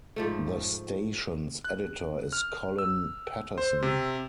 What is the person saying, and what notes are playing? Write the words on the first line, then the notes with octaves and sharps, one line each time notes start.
The station's editor is Colin Paterson.
G#2 F3 A3
F#6
F6
E6
C5
C3